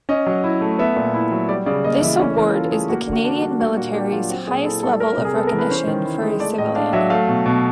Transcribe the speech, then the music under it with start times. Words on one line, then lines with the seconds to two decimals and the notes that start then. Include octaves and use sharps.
This award is the Canadian military's highest level of recognition for a civilian.
0.09 C#4 D#5
0.26 F#3
0.44 E4
0.61 A3
0.79 B3 E5
0.96 A#2
1.14 E4
1.32 F#3
1.49 G3 D5
1.66 C#3 D5
1.84 A#3 D#5
2.02 E3 E5
2.19 C#4 D5
2.36 E3 A#4
2.54 F4 A4
2.72 A3 G#4
2.89 A#3 F#4
3.07 D3
3.13 F#4
3.24 D4
3.36 F#4
3.42 G3
3.60 A#3 F#4
3.77 A#2 F#4
3.94 D4 G4
4.12 F#3 F4
4.29 C4 F#4
4.47 A#2 G#4
4.65 E4 A4
4.82 G3 A4
5.00 G3 A#4
5.17 C3
5.25 G#4
5.36 B3 A4
5.47 A#4
5.53 E3
5.59 B4
5.70 C#4 C5
5.87 D#3
6.05 E4
6.22 G#3
6.40 A3 D5
6.58 A2 D#5
6.75 D4 F5
6.93 F#3 E5
7.10 A3 F5
7.28 B2
7.46 B2